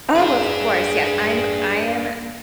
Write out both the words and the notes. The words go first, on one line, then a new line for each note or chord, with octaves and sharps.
Oh, of course, yes, I'm I am,
D4 G#4 B4